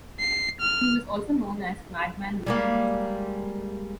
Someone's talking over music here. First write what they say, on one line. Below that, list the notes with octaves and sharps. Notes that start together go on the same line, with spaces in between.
He was also known as Madman Liang.
C7
F6
G3 G#3 A#3